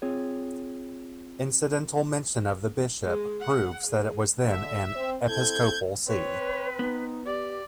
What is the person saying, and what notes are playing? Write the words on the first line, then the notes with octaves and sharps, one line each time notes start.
Incidental mention of the bishop proves that it was then an episcopal see.
C4 F4 G#4 C#5
G#3
F#5
G#4
D3 E5
C4
C4 E4 A4 G6 G#6
C4 B4 C#5
B3 D#4
G4 D5